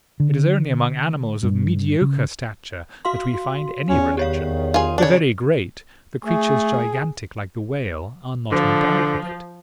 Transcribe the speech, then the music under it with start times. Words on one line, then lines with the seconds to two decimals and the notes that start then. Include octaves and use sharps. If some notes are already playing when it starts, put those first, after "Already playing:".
It is only among animals of mediocre stature that we find any religion; the very great, the creatures gigantic like the whale are not endowed with it.
0.20 D3
1.43 G2
2.01 C#3
3.05 F#4 F5 C6
3.89 E2 C#4
4.17 D#3 G4 C#5 F5
4.74 F4 G#4
4.98 C#3 D4 C#5
6.25 A3 G#4
8.52 D3 F3